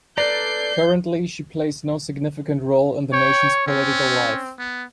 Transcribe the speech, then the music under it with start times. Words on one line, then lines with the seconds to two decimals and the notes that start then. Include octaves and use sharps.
Currently she plays no significant role in the nation's political life.
0.18 A4 B4 D5 A#5 G6 C7
3.13 C#5 G5
3.67 C4 C#4
4.59 B3